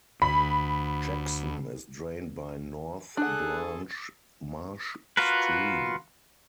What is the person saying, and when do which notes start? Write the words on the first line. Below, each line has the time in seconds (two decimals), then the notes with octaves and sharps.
Jackson is drained by North Branch Marsh Stream.
0.22 D2 B5
3.17 D4 G#4 A4 F#5 F#6
5.17 F4 F#4 A#4 B4